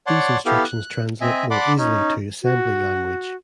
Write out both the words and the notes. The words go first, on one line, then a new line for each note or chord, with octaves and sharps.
These instructions translate more easily to assembly language.
C#5 D5 F#5 A5 C6
B3 E4 G4 A4 F5
F#6
C4 D#5 E5 G#5
D5 F#5 A5 B5 C6 D6
C#4 D#4
F#4